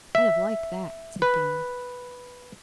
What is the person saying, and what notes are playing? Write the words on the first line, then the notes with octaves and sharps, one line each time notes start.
'I'd have liked that!' said Dan.
E5
B4